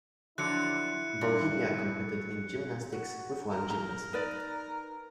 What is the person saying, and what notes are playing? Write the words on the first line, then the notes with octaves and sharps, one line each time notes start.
Bohemia competed in gymnastics, with one gymnast.
D3 F3 F#3 E4 F#6 C#7
G2
F#4
A#4
A#5
D#4 B4 D5